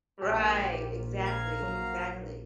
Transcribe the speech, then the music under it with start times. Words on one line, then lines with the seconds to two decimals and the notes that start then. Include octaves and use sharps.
Right. Exactly, exactly.
0.21 A#1 A#2 G4
1.26 F5 A#5 G#6
1.62 F#3